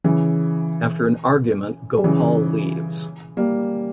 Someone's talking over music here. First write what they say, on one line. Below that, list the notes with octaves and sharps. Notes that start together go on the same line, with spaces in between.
After an argument, Gopal leaves.
C#3 E3
G3
C#3 E3
G3 A#3